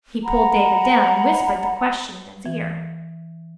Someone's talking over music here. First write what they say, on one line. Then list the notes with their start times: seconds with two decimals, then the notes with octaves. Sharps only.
He pulled David down and whispered the question in his ear.
0.24 F#5 A#5 B5
2.46 E3